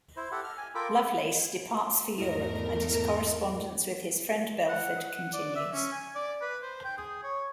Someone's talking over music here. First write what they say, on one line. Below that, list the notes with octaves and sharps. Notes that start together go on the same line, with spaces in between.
Lovelace departs for Europe and his correspondence with his friend Belford continues.
E4 C5
G4 A4 F#5
F6
G#5
F4 A4 A#4 G5 B5 D6
E2 G#2 A3 E4 A#4 D#5
F#5
F#5
D5
E5
C#4
G#5
D5
B4
C5
G5
G#4
C#5